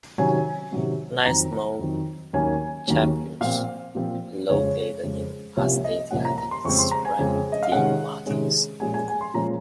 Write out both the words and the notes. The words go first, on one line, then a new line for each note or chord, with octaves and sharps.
Nine small chapels are located in Aulesti and its surrounding mountains.
C3 D#3 F#3 C#4 G#5
C3 D#3 F#3 C#4
F2 D#3 F#3 C4 A#5
A#5
F2 D#3 F#3 C4
D#2 D#3 F#3 A#3 C#4 G#5
D#2 D#3 F#3 A#3 C#4
A#2 F3 C4 F5
A#2 F3 C4
F2 C#3 G#3 C#5
F2 C#3 G#3
C2 C3 F3 A#3 C#4 C#5
D#5
C2 C3 F3 A#3 C#4 F#5
A#5
A#5
C6
F2 C#3 G#3 C4 C#6
C6
A#5
G#5
F2 C#3 G#3 C4
D#5
F5
C3 D#3 G#3 C#4 F#5
C3 D#3 G#3 C#4
A#2 F3 G#3 C#4 G#5
G#5
G#5
C6
A#2 F3 G#3 C#4 A#5